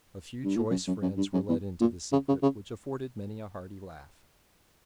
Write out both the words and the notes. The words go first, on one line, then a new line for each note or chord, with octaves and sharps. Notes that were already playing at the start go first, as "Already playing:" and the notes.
A few choice friends were let into the secret, which afforded many a hearty laugh.
G2
A#2
F#2
F#2
F#2
G2
F#2
E2
A#2
C#3
C#3
C#3